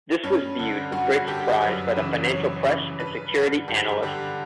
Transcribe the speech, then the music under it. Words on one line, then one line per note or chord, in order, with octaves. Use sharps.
This was viewed with great surprise by the financial press and security analysts.
G2 C#4
D3
G2 F#4
D3 G4
F#2 B4
C#3 E3
F#2 C#5
C#3 E3
G2 B4
D3
G2 G4
D3 G4